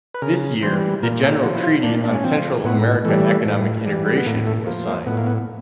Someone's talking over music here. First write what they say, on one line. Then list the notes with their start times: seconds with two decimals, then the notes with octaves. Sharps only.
This year the General Treaty on Central America Economic Integration was signed.
0.14 B4
0.22 C#3 A#4
0.62 E3 G3 C5
1.03 A#2 A#4
1.23 A4
1.43 F3 F#4
1.54 E4
1.63 F4
1.83 A#2 D4
2.03 D4
2.14 C#4
2.24 F3 C4
2.64 A2 B3
3.05 E3 G3 A3
3.45 A2
3.86 E3 G3
4.17 B3
4.26 A2 A#3
4.47 A3
4.67 F3 A#3
4.87 A#3
5.06 A2 B3
5.17 A#3
5.26 B3